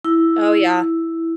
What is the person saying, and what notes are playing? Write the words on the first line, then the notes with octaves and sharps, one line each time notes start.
Oh, yeah.
E4